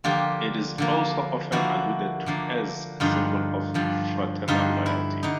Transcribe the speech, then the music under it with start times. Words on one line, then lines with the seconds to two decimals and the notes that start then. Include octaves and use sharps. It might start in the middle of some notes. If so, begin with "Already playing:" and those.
It is also often alluded to as a symbol of fraternal loyalty.
0.04 D3 F3 A#3 F4 G4
0.78 D3 F3 A#3
1.52 D3 F3 A#3 E4 F#4
2.26 D3 F3 A#3
3.00 G2 D3 F3 D#4 F4
3.74 G2 D3 F3
4.48 G2 D3 F3 D#4 F4
4.86 E4
5.23 D3 D#4